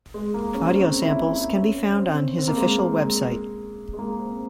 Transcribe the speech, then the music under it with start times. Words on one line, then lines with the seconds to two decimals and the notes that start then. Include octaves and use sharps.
Audio samples can be found on his official website.
0.14 G#3
0.34 A#3
0.54 C#4
0.71 C4
0.75 C#4
1.02 E4
1.29 E4
1.56 C#4
1.96 C4
2.38 C4
2.47 A#3
2.57 G#3
2.78 G#3
2.98 G#3
3.93 G#3
3.99 A#3
4.20 C4